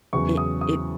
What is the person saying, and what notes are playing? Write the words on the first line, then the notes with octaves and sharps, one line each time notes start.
it it
E2 C#3 F#3 C#6
D#6
D#6